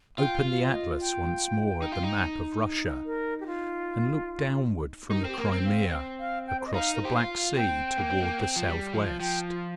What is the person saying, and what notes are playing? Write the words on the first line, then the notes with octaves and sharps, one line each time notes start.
Open the atlas once more at the map of Russia, and look downward from the Crimea, across the Black Sea toward the southwest.
F4 G5
F5
C5
D#5
G5
D#4
F4
D#4
A#4
G4
F4
D#4 G4
A#4
C4 G4
A#3 A#4
C4
F5
F5
G5
C5
D#5
D#4 F5
A#4
G4 C5
F4
F5
C4 G5
A#3
C4
A#3
C4
F3
G3
F3
F3 G5
F4